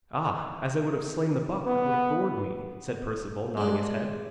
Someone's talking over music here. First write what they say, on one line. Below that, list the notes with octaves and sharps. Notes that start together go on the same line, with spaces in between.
'Ah, as I would have slain the buck that would have gored me,' said Perceval, nodding his head.
B3
G#3 D4